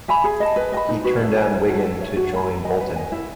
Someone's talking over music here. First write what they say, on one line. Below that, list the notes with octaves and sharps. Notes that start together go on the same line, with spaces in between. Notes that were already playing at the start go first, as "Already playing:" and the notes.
He turned down Wigan to join Bolton.
E5 G#5 B5
G#4
D#5 A5
B4
D#5 G#5 B5
D#4
F#4 B4
A4
C#5 G#5
C#4
F#4 A4
A4
C#5 E5
F#4
C#5 F#5 B5
A4
D#5 G#5
B4
D#5 G#5
E4